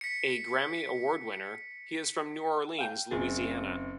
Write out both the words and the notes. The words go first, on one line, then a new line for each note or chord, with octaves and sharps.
A Grammy Award winner, he is from New Orleans, Louisiana.
B6 C#7
F5 G5
F#1 C4 G#4 A6